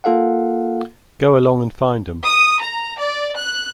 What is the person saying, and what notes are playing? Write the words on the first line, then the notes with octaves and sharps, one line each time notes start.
Go along and find 'em.
A#3 F4 A4 F5 F#5
D#6
A#5
D5
F#6